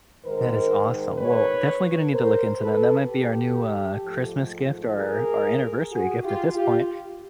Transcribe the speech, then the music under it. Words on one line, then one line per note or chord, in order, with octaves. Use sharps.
That is awesome, well, definitely gonna need to look into that, that might be our new, uh, Christmas gift or or anniversary gift at this point,
G#2 D#3 G#3 A#4 C5
B4 C#5
A#4 C5
A4 B4
G4 A4
G#2 F3 A3
G#4 A#4
F#4 G#4
F4 G4
F4 G4